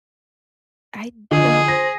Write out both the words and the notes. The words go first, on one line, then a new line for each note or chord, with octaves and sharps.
I uh,
D3 F3 G#4 D#5
C5 A#6